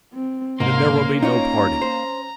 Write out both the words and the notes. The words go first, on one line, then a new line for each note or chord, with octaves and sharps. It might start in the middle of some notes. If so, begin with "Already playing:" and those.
"Then there will be no parting."
C4
C2 G#2 A#3 C#4 F5 C6
D#4 F4 C#5 A#5
C5